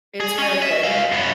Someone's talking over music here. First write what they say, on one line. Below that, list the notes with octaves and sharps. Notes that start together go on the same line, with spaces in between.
it's really good.
G#4
C#4 G#5
E5
G#3 F5
F#2 B3